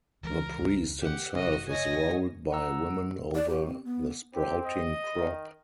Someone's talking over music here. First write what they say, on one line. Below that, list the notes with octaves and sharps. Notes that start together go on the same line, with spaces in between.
The priest himself is rolled by women over the sprouting crop.
C#2 E3 G#3 A#4
C#2
G4 F#5
F#1 C3 C#4 F#4 D#5
C#5 D#5 G#5 A#6
F#5 A#5 E6
D5
G4
C4
B3
C4 G4
D#5
D#3